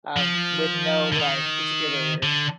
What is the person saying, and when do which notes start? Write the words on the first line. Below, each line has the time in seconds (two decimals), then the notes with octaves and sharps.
um, with no, like, particular,
0.17 F3
1.13 D3
1.20 D#3
2.23 D3